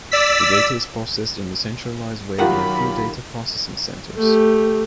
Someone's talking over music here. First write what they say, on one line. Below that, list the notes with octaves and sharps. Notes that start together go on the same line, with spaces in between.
The data is processed in the centralized way in a few data processing centres.
D5 E6 B6
D#3 F#3 F4 G4 A#4 F#5 B5
A3 G4